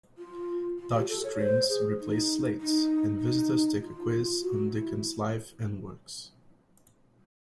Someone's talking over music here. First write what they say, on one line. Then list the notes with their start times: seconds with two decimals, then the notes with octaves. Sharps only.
Touch-screens replace slates, and visitors take a quiz on Dickens' life and works.
0.18 F4
0.78 F4
0.94 G4
1.09 A4
1.24 C#5
1.39 C5
1.69 G#4
2.00 D#4
2.60 D#4
3.20 D#4
3.81 F4
4.41 F#4
4.72 E4